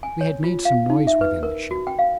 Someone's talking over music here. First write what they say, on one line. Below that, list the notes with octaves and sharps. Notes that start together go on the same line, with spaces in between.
We had made some noise within the ship.
G#5
C#5
F4
F5
D#4
E5
B4
A#4
F#4
G5
F5